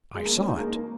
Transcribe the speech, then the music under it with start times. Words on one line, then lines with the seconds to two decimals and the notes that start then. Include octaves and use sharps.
"I saw it."
0.15 G#3
0.25 A#3
0.37 C#4
0.48 D#4
0.55 G#3
0.59 A#3
0.75 A#3